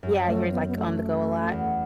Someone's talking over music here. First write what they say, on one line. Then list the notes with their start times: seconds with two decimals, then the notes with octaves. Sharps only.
Yeah, you're, like, on-the-go a lot?
0.03 F#2
0.27 A3
0.52 B3
0.68 B3
0.77 A3
1.52 E2